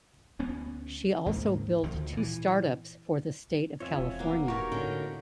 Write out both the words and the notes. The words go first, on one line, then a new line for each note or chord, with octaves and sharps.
She also built two startups for the state of California.
D2 B3 C#4
D#2 G#2 A#3
D2 D#3 F3
A#2 E3
F2 F4 C#5 E5 G#5
E1
A#3 B3
D#4 F#4 G4 A#4 C#5
A2 D3 C#4 G5